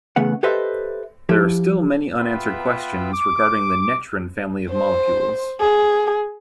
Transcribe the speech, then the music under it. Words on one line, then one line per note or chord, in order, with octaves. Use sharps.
There are still many unanswered questions regarding the netrin family of molecules.
E2 C#3 A3 B3 F#5
G4 A4 B4 C5 D#5 E5
F3 E4 G4
B3 F4 B4 E5 G5
D6
C5
G#4